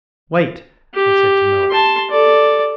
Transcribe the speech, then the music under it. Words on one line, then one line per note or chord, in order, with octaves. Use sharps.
"Wait," I said to Moa.
G4
A5 C6
A4 D5